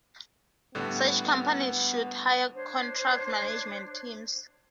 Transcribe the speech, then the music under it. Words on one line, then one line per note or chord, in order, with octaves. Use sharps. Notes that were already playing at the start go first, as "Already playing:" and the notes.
Such companies should hire contract management teams.
A2 D3 G3 B3
D4 C5 C#5